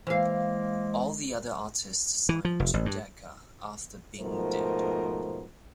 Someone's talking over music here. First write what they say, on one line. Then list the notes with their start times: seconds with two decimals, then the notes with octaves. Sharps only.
All the other artists signed to Decca after Bing did.
0.07 E3 G#3 A#3 C5 F5
2.29 E3
2.45 F3
2.60 F1
2.74 A1
2.86 G2
4.21 G#2 B2 F3 A3 A#4 C5